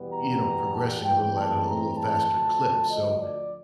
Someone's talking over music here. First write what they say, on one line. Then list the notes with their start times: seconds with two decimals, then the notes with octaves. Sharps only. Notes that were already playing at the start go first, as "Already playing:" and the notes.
you know, progressing a little at a little faster clip, so,
Already playing: E2 B2 G3 B3
0.13 A#5
0.75 A5
1.05 A2 E3 G#3 C4 G5
1.36 A5
1.67 A#5
1.97 A5
2.28 D2 D3 F3
2.90 D#5
3.20 D5